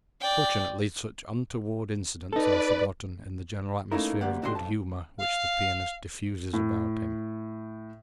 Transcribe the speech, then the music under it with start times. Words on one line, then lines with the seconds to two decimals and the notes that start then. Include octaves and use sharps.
Fortunately such untoward incidents are forgotten in the general atmosphere of good-humor which the pianist diffuses about him.
0.21 D5 G5
2.33 D#4 A4 B4 D5
3.92 A3 A#3 C#4 D#4 E4 A#4
4.21 D2 G3 A#3 G4 F#5
4.42 G#2 D3 F#4 G4 D5 C6
4.55 B1 F2 A5
5.18 F5
6.53 A2